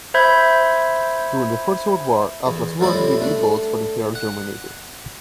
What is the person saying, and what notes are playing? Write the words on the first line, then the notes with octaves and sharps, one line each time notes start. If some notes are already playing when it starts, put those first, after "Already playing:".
During the First World War, Atlas Werke built U-boats for the Imperial German Navy.
C5 E5 B5 G6 G#6
E2
F2 A2 G3 C4 E4 D5
A3 D4
F#5